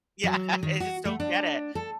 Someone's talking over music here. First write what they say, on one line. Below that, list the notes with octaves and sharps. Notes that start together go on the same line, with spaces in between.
Yeah, I just don't get it.
F#3
D#3
F#4
A3
D4
A4